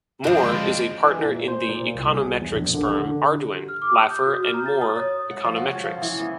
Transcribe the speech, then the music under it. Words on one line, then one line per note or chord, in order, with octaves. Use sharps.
Moore is a partner in the econometrics firm Arduin, Laffer and Moore Econometrics.
F3 C4 D4 B4
G#3
E3
A#2
C5
A#2
C2
G#4
E2
A#1
D3
D3
G4
F6
D6
D#6
G6
F#4
F6
A#5
A6
D#6
C#5
F#5
F3
F#4
C#4
F3
E3
B3